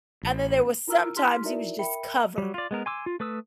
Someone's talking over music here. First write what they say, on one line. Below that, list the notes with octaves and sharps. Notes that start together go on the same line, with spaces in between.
And then there was sometimes he was just covered,
A1
E4 F4 A#4 A#5 E6 F6
E4 G4 C6 F6 B6
D#4 E4 F#4 A#4 D5 E5
A#4 E5 G5 B5 C#7
F#3 G3
F4 D5
G#3 B3 A#4
G#5 C6 D6 E6
F4
A3 B4 D#6 E6